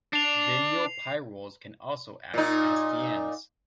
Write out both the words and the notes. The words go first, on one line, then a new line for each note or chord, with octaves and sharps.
Vinylpyrroles can also act as dienes.
D4 C7 F7
A#2 D#4